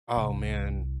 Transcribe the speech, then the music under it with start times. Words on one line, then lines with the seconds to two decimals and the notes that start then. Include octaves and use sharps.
Oh, man.
0.17 C2